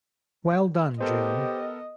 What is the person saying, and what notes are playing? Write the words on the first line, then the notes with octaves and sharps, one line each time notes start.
Well done June.
B3 G4 A4 A#4 C5 D#5